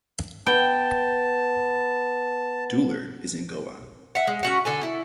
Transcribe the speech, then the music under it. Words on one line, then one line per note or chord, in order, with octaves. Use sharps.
Duler is in Goa.
B3 G5 A5
E5 F#5
G#3
C#4 F#4 F#5
D3 A4 G#5
E4